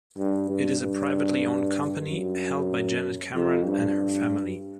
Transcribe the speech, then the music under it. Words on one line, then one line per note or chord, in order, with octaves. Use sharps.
It is a privately owned company, held by Janet Cameron and her family.
G2
G2
G2
F#2
F2
G2